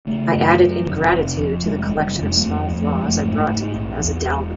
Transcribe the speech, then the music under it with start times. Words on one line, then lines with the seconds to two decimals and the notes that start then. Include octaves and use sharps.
I added ingratitude to the collection of small flaws I brought to him as a dowry.
0.07 C#3 A3
0.33 F#2
0.59 F#2
0.85 F1
1.12 F1
1.37 F2
1.63 F1 G#3
1.84 G#3
1.89 F1
2.02 G3
2.15 F2
2.23 G#3
2.36 A#3
2.41 F2 A3
2.68 F2
2.80 A3
2.93 F#1 G#3
3.05 A3
3.20 G#2
3.47 G#2
3.73 A#1
3.99 E2
4.24 E1